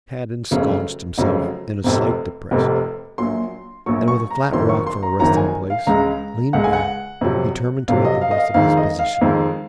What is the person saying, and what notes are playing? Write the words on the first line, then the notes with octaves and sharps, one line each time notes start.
Tad ensconced himself in a slight depression, and with a flat rock for a resting place, leaned back determined to make the best of his position.
F1 F2 C#3 F#3
F1 F2 C#3 F#3
F1 F2 C3
F1 F2 C3
A#1 A#2 F#3 C6
A#1 A#2 F#3 C#6
C#6
A#5
F#1 F2 D#3 F#3 C6
C#6
C6
A#5
F#1 F2 D#3 F#3 A#5
G#5
F5
C#2 C#3 G#3 A#5
C#2 C#3 G#3 F#5
G#5
F#5
F2 C3 F#3
F2 C3 F#3 F5
D#5
F5
D#5
F5
F2 D#3 G#3 F5
D#5
F5
F2 D#3 G#3